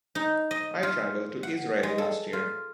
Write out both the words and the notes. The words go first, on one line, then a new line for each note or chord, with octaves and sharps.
I traveled to Israel last year.
D#4
D#5
F4
F#5
G#3
A4
F4